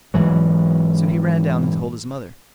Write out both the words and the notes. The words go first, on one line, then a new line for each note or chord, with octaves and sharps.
So he ran down and told his mother.
G#2 E3 F#3